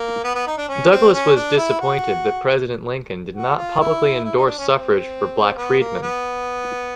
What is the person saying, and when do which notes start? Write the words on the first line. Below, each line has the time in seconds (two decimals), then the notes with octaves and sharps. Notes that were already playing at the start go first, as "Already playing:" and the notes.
Douglass was disappointed that President Lincoln did not publicly endorse suffrage for black freedmen.
Already playing: A#3
0.24 B3
0.35 B3
0.47 D#4
0.57 D4
0.69 C#4
0.91 C4
1.13 C#4
1.36 D4
1.57 E4
1.80 F#4
3.35 F#4
3.57 F4
3.80 E4
4.24 E4
4.35 D#4
4.46 D4
4.58 C#4
4.68 C4
5.57 B3
5.79 A#3
6.02 B3